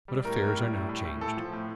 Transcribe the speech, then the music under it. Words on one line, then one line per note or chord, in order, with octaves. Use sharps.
But affairs are now changed.
G3
A2 A#4
A2
G3
A2
A2
A2
A2 A4
F3
A2